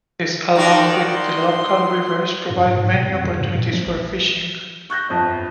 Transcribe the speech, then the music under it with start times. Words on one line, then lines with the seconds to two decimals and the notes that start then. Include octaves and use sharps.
This along with the local rivers provide many opportunities for fishing.
0.56 D#3 F#4 D5 G5
1.11 C6
2.50 F#2
2.66 G2
2.77 G#2
2.90 B2
3.06 F2
3.24 C#3
3.39 G2
3.55 A#2
3.73 F3
3.86 A1
4.90 C#6 F#6 G6 A#6
5.09 G1 F2